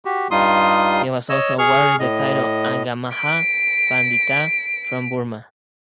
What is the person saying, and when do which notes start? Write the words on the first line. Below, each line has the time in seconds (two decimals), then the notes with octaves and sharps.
He was also awarded the title "Aggamaha Panditha" from Burma.
0.05 F#4 G4
0.31 G2 G3 D#4 F4 C6 D#6
1.29 C#5 D#5 E6
1.58 G#4 C#6 F6
1.99 A2 D#5
3.15 B6 D7